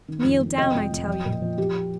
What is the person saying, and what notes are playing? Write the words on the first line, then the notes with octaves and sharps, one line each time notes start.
Kneel down, I tell you.
D#3
F2
F2
C3 D#5 G5
F2
F2
F3
A#2
F3
F3 G4